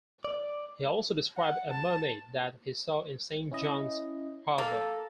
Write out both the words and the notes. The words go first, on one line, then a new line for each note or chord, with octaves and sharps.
He also described a mermaid that he saw in Saint John's harbour.
D5
F#5
A5
C#4 E4 D#5
A#3 A4 A#5 E6 A6